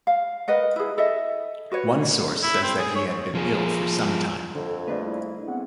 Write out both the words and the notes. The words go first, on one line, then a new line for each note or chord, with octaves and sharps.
One source says that he had been ill for some time.
F5
A#4 B4 D#5 F#5
E4 G#4
A4 D#5 E5
F#4 B4 C#5
E4
C4
G#4
C#5
F3 G#4
F2 D3 A4
G3 A3 A#3 D4 G#4 B4 D#5
E4
B3 C4 G#4 F#5